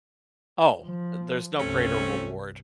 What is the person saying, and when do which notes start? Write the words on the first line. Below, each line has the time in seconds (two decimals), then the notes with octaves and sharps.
Oh, there's no greater reward.
0.85 F3
1.59 C2 G2 A3 C4 C#4